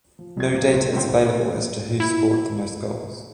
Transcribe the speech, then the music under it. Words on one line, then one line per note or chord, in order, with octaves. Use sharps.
No data is available as to who scored the most goals.
F3
F2 G#6
F#3 B3 F4 G4
C#2
C#2 D3 C4 E4 G5 C6
E4